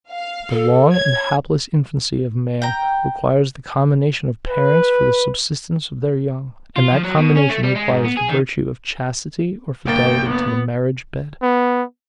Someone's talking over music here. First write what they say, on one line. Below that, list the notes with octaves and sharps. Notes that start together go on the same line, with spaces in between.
The long and helpless infancy of man requires the combination of parents for the subsistence of their young; and that combination requires the virtue of chastity or fidelity to the marriage bed.
F5
A4
C#5 G#6
G5 A#5
B4
F4
F3
F#3
B2
C#4
A3
G3
G#3
G#2
B3
G#4
D#3
G1 A#3 G5 A6
B3
B3